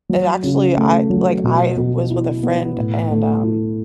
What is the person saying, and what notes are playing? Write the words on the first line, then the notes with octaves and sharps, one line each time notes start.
and, actually, I like, I was with a friend, and, um,
F#3
C#3
A3
F#3
B2
B2
E4
B3
A2
A3
E4